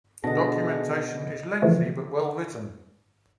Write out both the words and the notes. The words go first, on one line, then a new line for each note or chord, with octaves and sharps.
Documentation is lengthy but well written.
B2 D3 B3 D4 G#4 D#5 A#6
C#3 E3 F3 A3